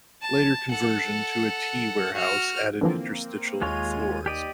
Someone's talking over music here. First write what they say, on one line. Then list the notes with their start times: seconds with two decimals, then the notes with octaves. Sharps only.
Later conversion to a tea warehouse added interstitial floors.
0.22 A5
0.70 A4 F#5
2.14 F#4 F6
2.81 D3 E3 F3 A#3 C4
3.62 D#2 G#3 F4 C#5 D#7
4.26 G4 D5 D#5